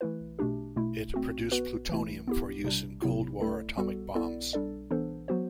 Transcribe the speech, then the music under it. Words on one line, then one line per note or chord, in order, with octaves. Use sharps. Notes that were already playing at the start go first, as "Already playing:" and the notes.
It produced plutonium for use in cold war atomic bombs.
E3 A3 E4 B4
B2 A3 D4 G4
B2 A3 E4
A3 C4 F#4
B3 F#4 B4
E3 A3 E4
B3 E4 G4
C3 G3 D4
C3 F#3 B3 E4
A3 E4 A4 D5
G3 B3 F#4 A4
B3 E4 A4 D5
G3 D4 A4 D5
E3 B3 D4 A4 C5
F#3 B3 F#4 C5